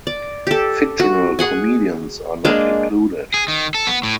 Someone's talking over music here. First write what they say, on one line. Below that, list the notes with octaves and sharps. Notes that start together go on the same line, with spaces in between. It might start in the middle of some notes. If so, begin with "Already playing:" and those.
Fictional comedians are not included.
D5
G4 A4
F#4
G#4 F#5 G#5
G#3 A#3 D4
G#4
D#3
A4
B3
A2